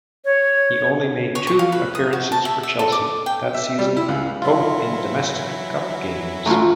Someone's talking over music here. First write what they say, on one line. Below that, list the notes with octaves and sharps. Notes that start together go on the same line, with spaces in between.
He only made two appearances for Chelsea that season, both in domestic cup games.
C#5
C#5
C#6
F5
B4
D#6
F#4
A5
E5
E5
A4
D6
G5
E5
G3
E4
C#2
E3 F#3 E4 F4
A1 D2 A3 F4 A#5